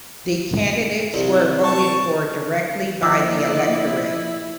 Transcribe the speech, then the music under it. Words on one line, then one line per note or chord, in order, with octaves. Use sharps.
The candidates were voted for directly by the electorate.
C2
A5 C#6
F3 A#3 E4 D5 D#5 D6 E6